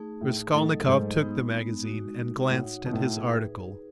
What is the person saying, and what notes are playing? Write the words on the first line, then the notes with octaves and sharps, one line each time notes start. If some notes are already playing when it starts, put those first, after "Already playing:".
Raskolnikov took the magazine and glanced at his article.
Already playing: A3 D#4 G#4
A2
A2 F#3 A3 D#4 A4 D#5
G#2
G#3 B3 D#4
G#3 D#4 F#4
A2 D#4 F#4 C#5 F#5
B2
A2
D#4 G#4 B4